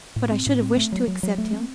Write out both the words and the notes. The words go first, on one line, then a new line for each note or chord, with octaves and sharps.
But I should have wished to accept him.
A2
C4
A2
C4
A3
F#3
F#3
F#3
A3
C4